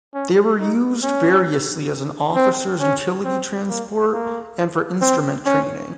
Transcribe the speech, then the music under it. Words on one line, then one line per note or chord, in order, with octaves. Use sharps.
They were used variously as an officer's utility transport and for instrument training.
C#4
D#4
C#4
C4
C#4
C4
A#3
A#3
C4
C#4